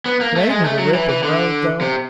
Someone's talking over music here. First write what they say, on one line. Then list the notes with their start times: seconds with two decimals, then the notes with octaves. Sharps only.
But ain't it a ripping road, though?
0.06 B3
0.21 A#3
0.36 A3
0.50 G#3
0.65 A3
0.79 F#3
0.94 E3
1.09 E3
1.23 D3
1.81 C3